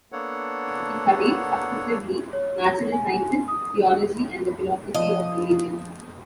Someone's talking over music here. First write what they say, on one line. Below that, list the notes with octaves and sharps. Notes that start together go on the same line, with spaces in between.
He studied, successively, natural sciences, theology and the philosophy of religion.
A#3 B3 D4 A4 C#5 F#5
C#5
G#5
D#6
F3 D#5